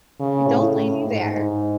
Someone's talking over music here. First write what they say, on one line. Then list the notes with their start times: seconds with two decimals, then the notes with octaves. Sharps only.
I don't blame you there.
0.20 C#3
0.48 A2
0.77 A2
1.05 G#2
1.34 G#2